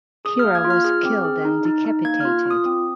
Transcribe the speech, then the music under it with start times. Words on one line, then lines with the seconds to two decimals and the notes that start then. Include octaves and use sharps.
Kira was killed and decapitated.
0.25 G#4 D#6
0.39 F6
0.45 A#3
0.55 G#6
0.64 F4
0.70 F6
0.84 G#4 F6
1.05 C4
1.25 G#4
1.45 D#4
1.65 D#4
1.85 D#4
2.05 A#3 G#6
2.20 F4 F6
2.46 F4 D#6
2.65 C4 D#6